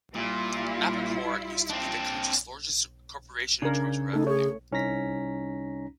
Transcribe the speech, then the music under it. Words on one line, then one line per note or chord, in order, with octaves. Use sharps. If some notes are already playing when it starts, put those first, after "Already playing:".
Napocor used to be the country's largest corporation in terms of revenue.
A#2 G3 E4 F4
C4 D4
C#3 D4 A#4
A3 D#4 A4
G#4 C#5
C2 C#4 D#4 A#5 A#6 B6